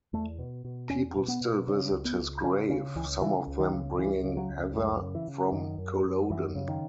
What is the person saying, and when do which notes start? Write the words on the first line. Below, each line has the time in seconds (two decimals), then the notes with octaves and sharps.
People still visit his grave, some of them bringing heather from Culloden.
0.13 E2 A3
0.39 B2
0.65 B2
0.90 E2 C#4
1.16 B2
1.28 B3
1.41 B2
1.68 C#3
1.92 C#2
2.05 B3
2.19 C#2
2.44 C#3 C#4
2.70 C#3 C#4
2.96 C#2 E3
3.21 C#3 E3
3.47 C#2
3.59 D#3
3.73 C#3
3.98 C#2 E3
4.24 C#3
4.37 F#3
4.50 C#2
4.75 F#2 G#3
5.01 C#3
5.15 E3
5.28 C#3
5.52 F#2 D#3
5.78 F#2
6.04 F#2
6.30 F#2 E3
6.55 C#3
6.68 D#3